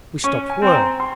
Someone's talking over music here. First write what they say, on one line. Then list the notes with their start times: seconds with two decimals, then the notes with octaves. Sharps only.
We stopped work.
0.24 C#4 C#6
0.50 G#5
0.62 C4
0.75 A#5
1.00 C6